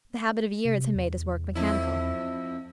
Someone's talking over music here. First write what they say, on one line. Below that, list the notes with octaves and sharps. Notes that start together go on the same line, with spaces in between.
The habit of years had made his work mechanical.
C3
E2
F2 E4